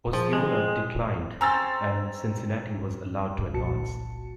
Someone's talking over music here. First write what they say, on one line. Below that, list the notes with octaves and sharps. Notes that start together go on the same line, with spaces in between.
Osceola declined, and Cincinnati was allowed to advance.
F3 G#4
G#3 C4
C#3 C4 G#5 A#5 E6 A6
G1 C2 A#2 F#4 A5 C#7